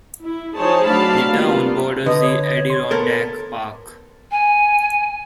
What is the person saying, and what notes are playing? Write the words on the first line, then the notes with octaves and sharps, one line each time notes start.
The town borders the Adirondack Park.
E4
F3 D#4 G#4 C5 C#5 A5
F#3 A3 D4 F5 A5 B5
G3 A#3 B3 F4
D3 B4 D#5 D#6
C#5
C6
B3 A4 A#4
G#5